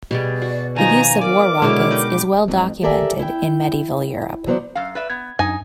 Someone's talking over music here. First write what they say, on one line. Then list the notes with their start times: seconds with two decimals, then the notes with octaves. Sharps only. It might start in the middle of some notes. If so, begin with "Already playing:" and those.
The use of war-rockets is well documented in Medieval Europe.
0.11 B2 G3 G4 G#4 D5
0.42 F#4
0.76 D#3 F3 D#4 F#4 G#5 A#5
1.21 A#4 D5 D6
1.62 B2 D3 F#3 G#3 E4
1.91 D#4 B4 G5
2.48 F2 G#2
2.83 G4 A4 A#4 D5 E5 G#5
3.19 E4 G5
4.46 E3 F#3 B3 C5 D5
4.75 F#2 F5
4.95 B4 D5 E5
5.10 B3 G#6
5.39 F#2 D#4 G#5